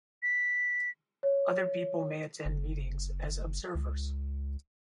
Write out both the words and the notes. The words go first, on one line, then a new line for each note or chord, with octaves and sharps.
Other people may attend meetings as observers.
B6
C#5
F#1
C#2